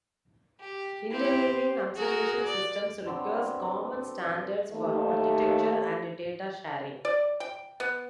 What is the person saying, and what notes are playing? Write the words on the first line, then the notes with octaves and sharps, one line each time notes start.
Interlinking observation systems requires common standards for architecture and data sharing.
G4
C4 E4 G4
C5
F#4 G#4 A#4
D5
D3 F#3 B3 C4
D#2 A3
D5
G5
B3